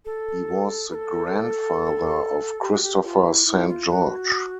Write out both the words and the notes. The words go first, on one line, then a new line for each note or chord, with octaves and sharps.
He was the grandfather of Christopher Saint George.
A4
B4
A4
G4
F#4
G4
F4
E4
E4
F4
F#4